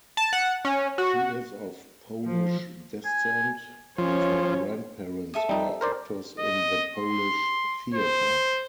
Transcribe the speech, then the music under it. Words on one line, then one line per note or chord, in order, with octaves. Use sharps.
She is of Polish descent, and her grandparents were actors in the Polish theater.
A5
F#5
C#4
F#4
F3
G#5
F3 C#4 C#5
A4 E5 D#6
G3 D#4
A#4 C5 D5
D#5
C6
C5